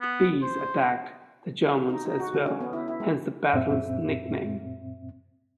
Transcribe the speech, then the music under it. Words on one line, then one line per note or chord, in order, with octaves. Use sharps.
The bees attacked the Germans as well, hence the battle's nickname.
B3
C5
D#4
D#4
F#4
D3
C#4
B3
E4
E4
G#3
F#2 A#2 C4 E5